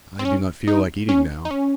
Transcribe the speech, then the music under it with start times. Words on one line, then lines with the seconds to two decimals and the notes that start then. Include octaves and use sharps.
I do not feel like eating now.
0.19 C4
0.25 C#4
0.67 D#4
1.09 C#4
1.45 D#4
1.51 C#4